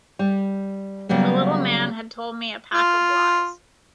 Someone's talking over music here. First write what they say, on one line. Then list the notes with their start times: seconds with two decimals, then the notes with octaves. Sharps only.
The little man had told me a pack of lies.
0.19 G3
1.09 C#3 F#3 G3 A#3 B3
2.74 F4